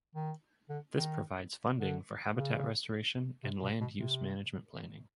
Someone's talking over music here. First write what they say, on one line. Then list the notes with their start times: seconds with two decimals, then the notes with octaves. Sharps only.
This provides funding for habitat restoration and land use management planning.
0.15 D#3
0.69 D3
0.97 D#3
1.79 D3
2.35 C#3
3.43 C3
3.63 B2
3.81 B2
3.99 C3